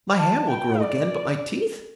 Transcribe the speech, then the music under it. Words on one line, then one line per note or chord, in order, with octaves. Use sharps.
My hair will grow again, but my teeth!
A5
G5
D5